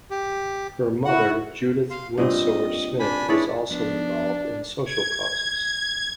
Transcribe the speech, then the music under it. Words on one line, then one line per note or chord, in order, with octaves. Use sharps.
Her mother Judith Winsor Smith was also involved in social causes.
G4
E4 F#4 F#5
F5 C6
G2 A#2 C4 D#5
D4 G#5 B5
D4 E4 G#4 B4 C#5 D5
F3 B3 D4
G#6